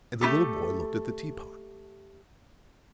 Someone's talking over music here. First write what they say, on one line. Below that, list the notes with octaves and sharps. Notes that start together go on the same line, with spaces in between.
And the little boy looked at the tea-pot.
A3 F4 G4 A4